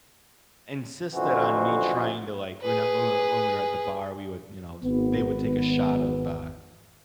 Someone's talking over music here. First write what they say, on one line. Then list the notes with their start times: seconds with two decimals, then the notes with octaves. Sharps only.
insisted on me trying to, like, whene whe when we were at the bar, we would, you know they would take a shot of uh,
1.14 A1 F2 D3 E3 F#4 C5
2.62 G#4 B4
4.83 G#1 B3